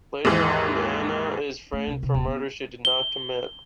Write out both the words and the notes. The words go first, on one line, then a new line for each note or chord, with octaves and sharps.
Later on, Anya is framed for murder she did not commit.
D#2 G#2 E3
A3
C2
C3
D#1
B3
G7